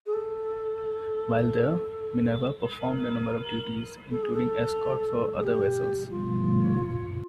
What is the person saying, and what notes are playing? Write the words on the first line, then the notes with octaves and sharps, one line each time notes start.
While there, "Minerva" performed a number of duties, including escort for other vessels.
G#4
A4
A#4
A4
G#4
A4
G#4
G4
F4